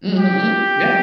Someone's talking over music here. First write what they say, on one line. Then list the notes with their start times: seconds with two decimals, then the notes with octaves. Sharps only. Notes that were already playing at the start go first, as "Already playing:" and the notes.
Mhm, yeah.
0.18 G4